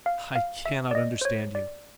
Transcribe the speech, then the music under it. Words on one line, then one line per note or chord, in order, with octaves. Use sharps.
"I cannot understand you!"
F5
F5
E5
D5
D#5
C5
C#5
D5